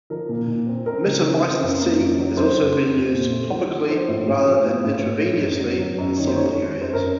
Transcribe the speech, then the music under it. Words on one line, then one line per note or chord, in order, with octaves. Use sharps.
Mitomycin C has also been used topically rather than intravenously in several areas.
F3 A#4
A#2
A#2
C4
C4 A#4
C#3
C4
C4
F#2
A#3
F#2
F#3
F2 C5
C#3
A3
F2
A#2
A3
F3
F3
F3 C5
A2
A2
F3
A2
A2
A2
A2
F#2
F#3
F#3
F#2
D#3 C#5
C5
D#3 C#5
F2 C#5
C#4
C5
F#2 A#4